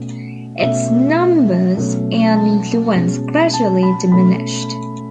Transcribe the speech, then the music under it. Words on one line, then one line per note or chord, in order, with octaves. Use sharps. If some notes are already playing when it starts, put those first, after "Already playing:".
Its numbers and influence gradually diminished.
Already playing: B2 A3 C#4
B2 A3 C#4 E5
B2 F#3 A3 C#4
A5
B2 G#3 C#4
A5
B5
B2 A3 C#4 B5